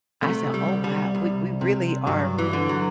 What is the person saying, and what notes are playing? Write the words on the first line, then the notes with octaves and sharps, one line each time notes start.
I said, "Oh, wow. We we really are"
C3 A3
G3
C2
G3
C2
C3
G2 F#3
E3
D3
F#3